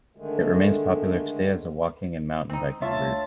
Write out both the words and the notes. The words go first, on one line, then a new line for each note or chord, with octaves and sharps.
It remains popular today as a walking and mountain biking route.
D3 D#3 G#3 A3
C4 D#4
D2 F4 C#5 E5 A5 A6